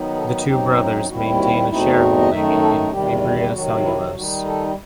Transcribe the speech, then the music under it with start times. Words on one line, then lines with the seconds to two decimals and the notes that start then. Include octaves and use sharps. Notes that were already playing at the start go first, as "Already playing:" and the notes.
The two brothers maintain a shareholding in Fibria Cellulose.
Already playing: D#3 F#3 B3 D#4
0.15 A4
0.45 F#2 F#3 C4 D#4 G4
1.07 D#2 D#3 G3 C4 E4 F#4
1.38 F#4
1.69 E2 B2 A3 C4 D#4 E4
1.99 F#4
2.19 D#5
2.31 F#2 D#3 A3 D#4 E5
2.61 A4
2.91 E2 C3 D#3 G3 G4
3.53 C3 D#3 F#3 F#4
3.83 E4
4.14 D#3 G3 D#4 F#4
4.45 A4